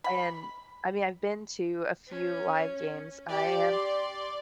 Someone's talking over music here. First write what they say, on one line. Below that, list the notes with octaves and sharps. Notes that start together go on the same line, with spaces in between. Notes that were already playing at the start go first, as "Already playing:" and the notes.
and, I mean, I've been to a few live games. I am
B5
C#4
G4 D5
C6